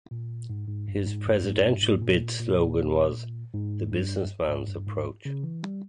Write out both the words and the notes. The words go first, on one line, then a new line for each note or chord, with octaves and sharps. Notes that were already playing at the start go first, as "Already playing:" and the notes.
His presidential bid slogan was "The Businessman's Approach".
A#2
G#2
G#2
G2
G#2
G2
G#2
G2
G#2
A#2
A#2
G#2
G2
G#2
G2
G#2
C#3
E3
G3